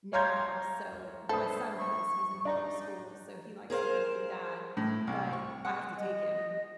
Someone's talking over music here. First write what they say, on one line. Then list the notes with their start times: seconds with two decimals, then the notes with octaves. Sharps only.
now, so my son does, he's in middle school, so he likes to go do that, but I have to take him,
0.13 C#5 F5 A#5 C6 G6 G#6
1.29 D4 A4 B4 C5 E5 B5 D#6
1.77 C#6
2.45 D4 D#4 D5 A#5
3.70 G#4 A#4 C5 F5
4.77 A2
5.07 C2
5.33 C#6
5.65 F#5
5.97 D#5